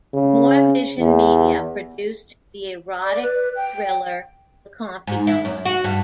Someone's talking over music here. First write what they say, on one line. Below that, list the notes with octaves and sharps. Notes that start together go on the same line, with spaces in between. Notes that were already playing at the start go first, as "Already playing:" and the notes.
Moore Vision Media produced the erotic thriller "The Confidant".
C#3
E2
D5
B4
G5
G#2
E4
F#2
F#4
G2